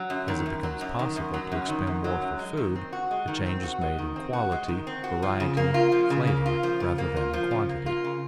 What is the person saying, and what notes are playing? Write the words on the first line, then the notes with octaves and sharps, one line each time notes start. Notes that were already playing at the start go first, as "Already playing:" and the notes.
As it becomes possible to expend more for food, the change is made in quality, variety, flavor, rather than in quantity.
Already playing: F#3
F#2
D#3
F#2
F#3
F#2
D#3
F#2
F#3
F#2
D#3
F#2
F#3
F#2
G#3
D#3
C4
F#4
G#3
D#3
C4
F#4
G#3
D#3
C4
F#4
G#3
D#3
C4
F#4
F3
C#3
A#3
F4
F3
C#3
A#3
F4
F3
C#3
A#3
F4
F3
C#3
A#3
F4
C#3